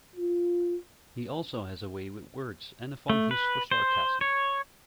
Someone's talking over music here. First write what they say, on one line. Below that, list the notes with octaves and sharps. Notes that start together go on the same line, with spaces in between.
He also has a way with words and a fondness for sarcasm.
F4
A3
B4
C5
C#5